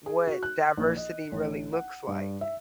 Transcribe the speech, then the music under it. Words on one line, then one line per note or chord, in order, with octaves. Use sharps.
what diversity really looks like,
G#4
F#4
F#6
A#1
D#5
A1
F#5
G2
E5